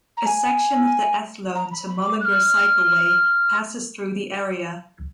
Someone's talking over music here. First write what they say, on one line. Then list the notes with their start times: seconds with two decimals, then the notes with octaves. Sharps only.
A section of the Athlone to Mullingar Cycleway passes through the area.
0.17 A#5
0.26 G#5
1.55 A#5
1.72 B5
1.88 B5
2.04 D6
2.21 F#6
2.25 F6